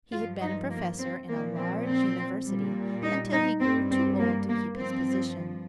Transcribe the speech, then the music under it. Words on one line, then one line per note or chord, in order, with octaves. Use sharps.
He had been a professor in a large university until he grew too old to keep his position.
G2 F3 F4
D#4
A#3
C4
A#2 F3 A#3
C4
C4
A#2 G3
D#4
D#4
G2 G3 C4
C4
A#3
A#3
G2 F3 C4